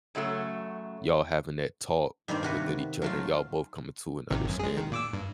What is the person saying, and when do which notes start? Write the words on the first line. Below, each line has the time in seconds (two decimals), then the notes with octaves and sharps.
y'all having that talk within each other, y'all both coming to an understanding.
0.15 F#2 C#3 F#3 A3
2.28 G2 D#3 A#3 C4
2.43 C3 F#4 B4
3.02 F#3 A3 F4
4.31 A1 C3 D#3
4.45 G1 F#2
4.59 G#3 G#4
4.77 D#3
4.91 A#2 D6 E6
5.13 G2